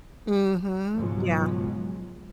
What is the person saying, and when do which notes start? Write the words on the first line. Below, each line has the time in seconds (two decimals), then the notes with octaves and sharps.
Mhm, yeah.
0.95 C#2 G#2 B2 F3 F#3 G#3